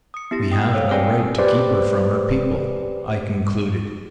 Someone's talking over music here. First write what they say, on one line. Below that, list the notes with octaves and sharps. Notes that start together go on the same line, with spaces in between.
"We have no right to keep her from her people," I concluded.
D#6 C#7
B3 E4 G4 A#6
G5 D#6
A4 C5 C#5 F5 D#6 E6
C4 G#4 D5 G5 G#5 A#6
G4 B4 C5 D5